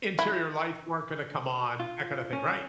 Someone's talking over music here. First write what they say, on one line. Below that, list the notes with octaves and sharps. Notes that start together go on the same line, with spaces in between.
Interior lights weren't gonna come on, that kind of thing, right?
E4
F4
C#4